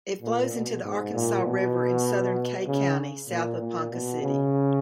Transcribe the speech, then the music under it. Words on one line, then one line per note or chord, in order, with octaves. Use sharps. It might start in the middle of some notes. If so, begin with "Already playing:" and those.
It flows into the Arkansas River in southern Kay County, south of Ponca City.
A#2
B2
G#2
A#2
B2
C#3
A#2
A#2
B2
C#3